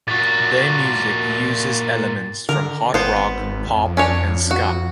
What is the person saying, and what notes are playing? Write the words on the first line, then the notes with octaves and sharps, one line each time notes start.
Their music uses elements from hard rock, pop and ska.
A#2 F#4 A6
D3 A#4
G#1 B3 C5
F2
C#4 D4 C#5
F#4